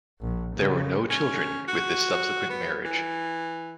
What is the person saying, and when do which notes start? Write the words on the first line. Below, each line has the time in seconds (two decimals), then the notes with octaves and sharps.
There were no children with this subsequent marriage.
0.21 A#1
0.55 C#3
1.10 C#4
1.68 F#4
2.50 B3
2.85 E3